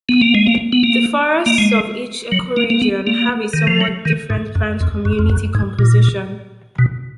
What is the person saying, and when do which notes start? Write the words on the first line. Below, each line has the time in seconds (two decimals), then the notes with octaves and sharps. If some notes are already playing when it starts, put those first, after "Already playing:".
The forests of each ecoregion have a somewhat different plant community composition.
0.09 B3
0.21 A#3
0.35 G#3
0.47 A#3
0.73 B3
0.84 A#3
1.46 A#3
1.58 G#3
2.32 F#3
2.57 A#3
2.70 A#3
2.82 B3
3.07 A#3
3.53 D#3
3.67 F3
3.81 F#3
4.05 D#3
4.30 G#2
4.55 F#2
4.81 F2
5.05 F#2
5.19 F2
5.29 F#2
5.55 G#2
5.79 A#2
6.79 B2